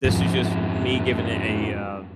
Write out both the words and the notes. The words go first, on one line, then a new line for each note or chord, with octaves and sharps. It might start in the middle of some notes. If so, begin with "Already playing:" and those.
this is just me giving it a uh,
F2 G#2 F3